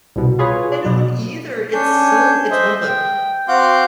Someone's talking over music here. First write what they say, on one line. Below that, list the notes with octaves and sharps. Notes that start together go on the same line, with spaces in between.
I don't either. It's so it's one of the
C2 B2
F4 G#4 B4 C#5
B2 F#3
C#4 D4 C#5 G#5 G6
C5 D#5 E5
G5
C4 F#4 F5 F#5 C6 D6